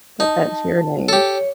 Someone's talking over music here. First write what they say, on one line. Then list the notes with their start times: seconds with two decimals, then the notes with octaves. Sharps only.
but that's your name.
0.20 D#4 A5
1.09 G4 A4 C#5